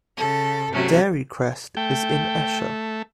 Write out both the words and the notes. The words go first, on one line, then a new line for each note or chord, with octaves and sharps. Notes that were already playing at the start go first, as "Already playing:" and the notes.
Dairy Crest is in Esher.
C#3 A4
C3 F#3 A3 C#4
A3 G5